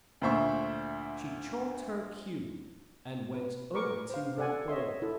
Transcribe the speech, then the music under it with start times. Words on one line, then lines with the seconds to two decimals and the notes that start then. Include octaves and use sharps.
She chalked her cue and went over to her ball.
0.22 D2 A#2 C5 E5 C#6
3.34 B4
3.74 A#4 B4 C#6 D6
4.09 C5 F5
4.38 A4 D5 F#5 G#5
4.68 C#5 D#5 E5 C6
5.02 E4 A4